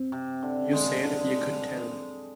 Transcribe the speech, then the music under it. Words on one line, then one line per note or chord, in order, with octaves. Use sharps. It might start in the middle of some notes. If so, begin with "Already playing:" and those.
You said you could tell.
Already playing: C4
C3
D3
G#3
D3